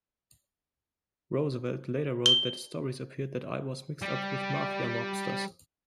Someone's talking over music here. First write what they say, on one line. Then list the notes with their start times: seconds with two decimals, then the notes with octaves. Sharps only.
Roosevelt later wrote that Stories appeared that I was mixed up with Mafia mobsters.
2.26 G7
4.02 G3 G4